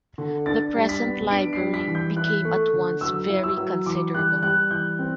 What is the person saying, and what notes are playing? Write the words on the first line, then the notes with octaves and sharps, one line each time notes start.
The present Library became at once very considerable.
D3
D4 A6
G3
B6
B3
D4 D7
C7
G3
B6
E3
G6
E4 F#6
A3
D3
F#3 E6
E4
E6
F#3
E3 D6
G3 F#6
G3 F#6
E3 G6
C4